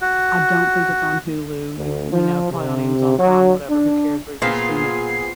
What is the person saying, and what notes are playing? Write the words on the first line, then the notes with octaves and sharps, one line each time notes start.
I don't think it's on Hulu, y you know, probably on Amazon Prime, whatever, who cares where you can stream it?
F#4
D2
F3
C3
F#3
D4
A#2 B3 C4 F4 G#4 C7